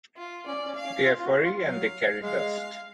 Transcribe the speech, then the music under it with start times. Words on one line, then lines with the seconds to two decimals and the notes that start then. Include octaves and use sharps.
They're furry and they carry dust.
0.17 F4
0.47 C#4 D5
0.67 C#4
0.76 F5
0.86 C#4
1.05 F4
1.19 F4
1.24 F#4
1.44 F4
1.64 F#3 F5
2.22 G#3 F5